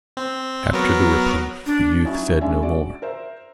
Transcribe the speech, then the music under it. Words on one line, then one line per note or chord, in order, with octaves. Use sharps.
After the reproof the youth said no more.
C4
F#3 B3 A#4
D4
F#3 C#4 D#4 E4 F#4
G#3 C#4 D4 E5
F#4 D5
A#4 C5 E5